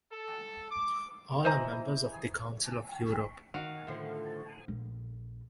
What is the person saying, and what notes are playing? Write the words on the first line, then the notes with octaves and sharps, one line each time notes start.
All are members of the Council of Europe.
A4
D6
E3 C5 D#5 A#5
D#3 F#4 F5
A2 D3 F3
A#1